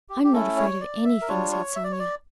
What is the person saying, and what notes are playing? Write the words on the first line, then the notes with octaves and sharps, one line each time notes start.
"I'm not afraid of anything," said Sonya.
G4
G4
A3 C#4 E4 A4
C#5
D5
E5
A#4
G3 D4 F4 C#5
C#5
E5
D5
C#5
D5